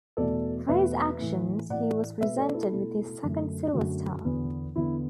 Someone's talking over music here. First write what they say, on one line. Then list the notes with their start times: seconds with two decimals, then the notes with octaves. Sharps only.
For his actions, he was presented with his second Silver Star.
0.17 E2 B2 A3 A4 D5
0.68 E2 B2 A3 B4 E5
1.19 A2 E3 A3
1.70 A2 E3 A3 D5 F#5
2.21 B2 A3 B4 E5
2.38 A4 D5
2.54 E4 A4
2.72 B2 A3
3.23 F#2 D3 A3
3.73 F#2 D3 A3 F#4
4.25 E2 D3 B3
4.76 E2 D3 B3 E4